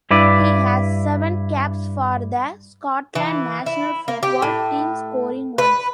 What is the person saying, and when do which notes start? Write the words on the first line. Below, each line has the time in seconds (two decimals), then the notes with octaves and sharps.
He has seven caps for the Scotland national football team scoring once.
0.11 G2 E4 B4 D5
3.15 E3
3.66 E4
4.08 A#3
4.23 G4
4.42 A2
5.58 B4